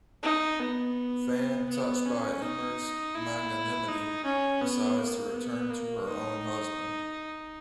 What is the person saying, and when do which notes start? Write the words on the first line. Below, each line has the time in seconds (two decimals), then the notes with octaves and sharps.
Fand, touched by Emer's magnanimity, decides to return to her own husband.
0.23 D#4
0.60 B3
1.69 B3
2.06 C#4
2.42 D#4
3.15 E4
3.88 D#4
4.24 C#4
4.61 B3
4.97 A#3
5.34 B3
5.70 A#3
6.07 D#4